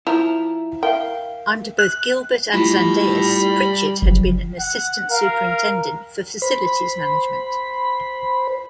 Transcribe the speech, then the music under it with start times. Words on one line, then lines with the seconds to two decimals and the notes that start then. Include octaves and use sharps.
Under both Gilbert and Zendejas, Pritchett had been an assistant superintendent for facilities management.
0.07 F3 E4 A#5
0.83 A#4 E5 F5 G5
1.79 F#6
2.53 G3 A3 E4 F4 A5 B5
4.02 F#1 C#3 F3 F#3
4.59 F#5
5.11 A#4 F5
6.42 C5 B5